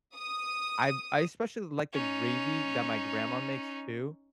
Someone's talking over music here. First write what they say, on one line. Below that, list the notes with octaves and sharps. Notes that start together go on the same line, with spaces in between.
I've I especially like the gravy that my grandma makes too.
D#6
C#4 D#4